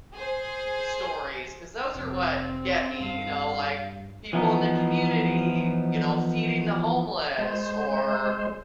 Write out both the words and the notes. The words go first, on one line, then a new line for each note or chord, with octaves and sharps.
stories, 'cause those are what get me, you know? Like, people in the community, you know, feeding the homeless or,
G#4 C5
F1 C4
G2 F5
E3 F3 B3 D#4
G#3 C5